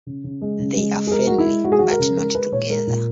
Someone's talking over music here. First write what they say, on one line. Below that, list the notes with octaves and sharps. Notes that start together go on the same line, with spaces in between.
They are friendly, but not "together".
C#3
C#3
G#3
C#3
G#3
G#3
G#4
G#3 A#4
G#3 F#4
E4
G#3
G#3 F#4
G#4
G#3 F#4
A#4
C#3
G#3 A#4
G#3 B4
A#2 C#5
G#3 A#4
A#2